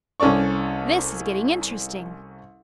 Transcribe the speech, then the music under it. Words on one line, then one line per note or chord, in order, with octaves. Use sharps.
"This is getting interesting!"
C2 C#4 A4 D5 C#6